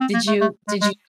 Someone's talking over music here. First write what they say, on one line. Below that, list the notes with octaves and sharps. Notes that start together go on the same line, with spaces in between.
did you did you
C4
A#3
A3
A3
G#3
G#3